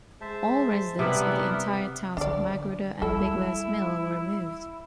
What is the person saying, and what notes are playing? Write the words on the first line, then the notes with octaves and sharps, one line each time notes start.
All residents of the entire towns of Magruder and Bigler's Mill were removed.
G#3 C5 E5 A5
C3 E3 G3 B3 D4 G4 A#4 E5
D3 D4 D5
G3 E4 A4